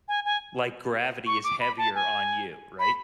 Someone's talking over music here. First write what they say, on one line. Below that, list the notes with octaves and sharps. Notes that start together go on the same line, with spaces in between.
Like gravity is heavier on you. Right?
G#5
G#5
C#6
D6
B5
A5
G#5
B5